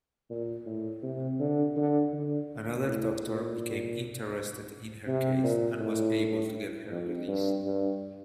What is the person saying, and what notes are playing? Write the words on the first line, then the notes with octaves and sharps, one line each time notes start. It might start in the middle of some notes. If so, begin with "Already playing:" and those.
Another doctor became interested in her case and was able to get her released.
A#2
A2
C3
D3
D3
D3
A2
A#2
C3
A#2
A2
F2
G2
G2